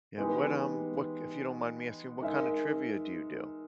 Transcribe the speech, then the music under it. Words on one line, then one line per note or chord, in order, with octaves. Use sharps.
Yeah, what, um what k if you don't mind me asking, what kinda trivia do you do?
E3 G#3 B3 D#4 G4
G#3 D#4 A#4 E5